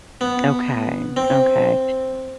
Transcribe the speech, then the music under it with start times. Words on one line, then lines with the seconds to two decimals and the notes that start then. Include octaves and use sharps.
Okay, okay.
0.21 B3
1.16 C4